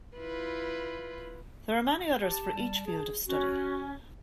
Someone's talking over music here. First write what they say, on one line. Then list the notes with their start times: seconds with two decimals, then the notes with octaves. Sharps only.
There are many others for each field of study.
0.16 E4 F4 B4
2.21 G4 A5
2.54 G3
2.86 G#4
3.27 C#4 F#4